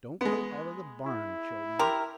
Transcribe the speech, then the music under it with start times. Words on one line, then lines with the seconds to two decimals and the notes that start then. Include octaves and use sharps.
'Don't go out of the barn, children.
0.21 G#3 B3
1.06 E4
1.79 G4 A#4 C6